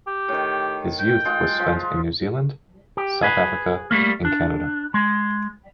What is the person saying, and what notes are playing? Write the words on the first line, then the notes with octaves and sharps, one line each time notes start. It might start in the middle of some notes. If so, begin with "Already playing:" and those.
His youth was spent in New Zealand, South Africa and Canada.
G4
A2 D#3
G5
G#3 F4 C6
F3 G#3
G4
G#4 B4
G3 A3 A#3
D4
G#3